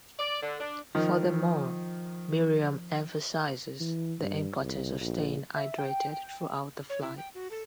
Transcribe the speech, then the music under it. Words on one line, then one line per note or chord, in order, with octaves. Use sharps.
Furthermore, Miriam emphasizes the importance of staying hydrated throughout the flight.
D5
D3
D4
D#3 F3
E3
G2
C2
A#1
E5
G5
C#5
E4
G5
F#4
A4